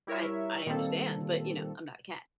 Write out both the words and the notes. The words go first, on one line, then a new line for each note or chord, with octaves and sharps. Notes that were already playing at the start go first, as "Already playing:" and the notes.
I I understand, but, you know, I'm not a cat.
G3 E4 A#4 C#5 E5
A#2 D#3 G3 A#3 C4 A4